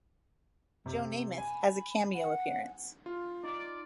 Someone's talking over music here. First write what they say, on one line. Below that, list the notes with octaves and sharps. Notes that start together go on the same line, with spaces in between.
Joe Namath has a cameo appearance.
C3
G#5 B5
F#5
F4
D#4 D5